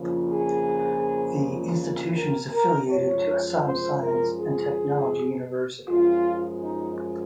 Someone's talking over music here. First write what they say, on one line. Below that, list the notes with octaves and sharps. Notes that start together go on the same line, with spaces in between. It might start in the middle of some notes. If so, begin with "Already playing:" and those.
The institution is affiliated to Assam Science and Technology University.
Already playing: F2 C#3 F3 A#3
G#4
A#4
A#4
F#2 F3 G#3 C#5
C5
A#4
G#4
F#2 F3 G#3 F4
D#4